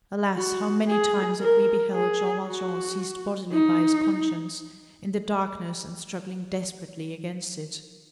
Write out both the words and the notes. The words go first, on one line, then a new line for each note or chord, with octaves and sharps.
Alas! how many times have we beheld Jean Valjean seized bodily by his conscience, in the darkness, and struggling desperately against it!
F#4
G#4
A#4
G#4
F#4
D#4